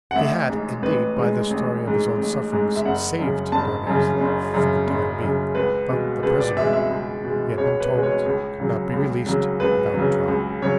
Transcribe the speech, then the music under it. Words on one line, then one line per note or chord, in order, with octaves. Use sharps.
He had, indeed, by the story of his own sufferings, saved Darnay's life for the time being, but the prisoner, he had been told, could not be released without trial.
F#5
A1 E5
G#2 G#3
A1 B4
G#2 G#3
A1
G#2 G#3
A1
G#2 G#3
E5
F#1 F#5
F#2 C#3
F#1 A5
F#2 C#3
F#1
F#2 C#3
F#1
F#2 C#3
C#2 B4
B2 G#3
C#2 B4
D5
B2 G#3 E5
E5
C#2
B2 G#3
C#2 C#5
B4
B2 G#3
C#5
C#2
C#3 F#3
C#2
C#3 F#3
C#2 B4
F#3
C#3
C#2
C#3 F#3 C#5